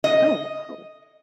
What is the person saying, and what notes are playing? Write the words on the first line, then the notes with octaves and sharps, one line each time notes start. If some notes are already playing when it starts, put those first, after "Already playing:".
Oh oh
D#5